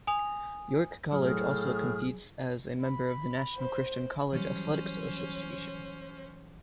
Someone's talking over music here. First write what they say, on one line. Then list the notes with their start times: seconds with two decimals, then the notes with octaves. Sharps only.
York College also competes as a member of the National Christian College Athletic Association.
0.07 G#5 D#6 F7
1.12 A2 F#3 G#4 D#6 F6
2.81 B5
3.57 C5
4.32 E3 F#3 G3 C#4 C5